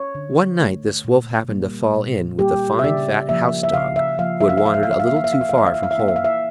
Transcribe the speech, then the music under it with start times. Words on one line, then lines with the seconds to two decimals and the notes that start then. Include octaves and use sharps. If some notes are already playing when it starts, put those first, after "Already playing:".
One night this Wolf happened to fall in with a fine fat House Dog who had wandered a little too far from home.
Already playing: C#5
0.15 D3
0.60 A3
1.04 A#2
1.49 G3 A#3
1.94 A#2
2.39 G3 A#3 G4
2.79 E5
2.84 C#3 D5
3.29 F3 A#3 E5
3.63 E5
3.74 C#3 F5
3.96 E5
4.18 F3 A#3 F5
4.41 E5
4.49 F5
4.58 E5
4.63 E3 F5
4.74 E5
4.83 F5
4.91 E5
4.99 F5
5.07 A#3 E5
5.16 F5
5.24 E5
5.33 F5
5.41 E5
5.49 F5
5.53 E3 E5
5.66 F5
5.74 E5
5.83 F5
5.91 E5
5.98 A#3 F5
6.08 E5
6.16 F5
6.25 E5